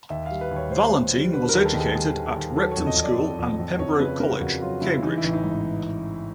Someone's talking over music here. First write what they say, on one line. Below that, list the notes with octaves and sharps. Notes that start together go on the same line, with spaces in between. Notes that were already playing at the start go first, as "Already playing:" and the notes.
Valentine was educated at Repton School and Pembroke College, Cambridge.
D#2 E5
G3 F5
B4
D#2
C#5
G3 C5
D#2
G3
D3 B4
D#2 A#4
A4
D#2
G#4
G3 G#4
D#2
D#2
F#3 A4
C#5
F2
D#5
F2
D5
F2
F2
F2
F2 C#5
C#3 B4
C#3 A#4
F2 F#4
F#3 F4
C#3 E4
E3 D#4
E4
A1
D#4
G#2